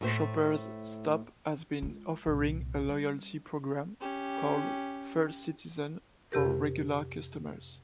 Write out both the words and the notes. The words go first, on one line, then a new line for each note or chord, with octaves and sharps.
Shopper's Stop has been offering a loyalty programme called First Citizen for regular customers.
A2 A3 C5
G#3 F4
C2 A#2
G3
C#4 G4
F2 C3 G4 A#4